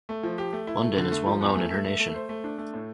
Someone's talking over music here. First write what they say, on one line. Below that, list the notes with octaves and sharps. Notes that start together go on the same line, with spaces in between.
London is well known in her nation.
A3
F3
G4
A3
E4
A3
D3
A3
F3
E2
A3
E5
E5
A3
C5
A3
D4
A3
A2